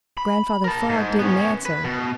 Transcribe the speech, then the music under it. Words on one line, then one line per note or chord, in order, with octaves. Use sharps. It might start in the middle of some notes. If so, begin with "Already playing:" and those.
Grandfather Frog didn't answer.
B5
A#4 A5
G#2
B3 C#4
B4
B2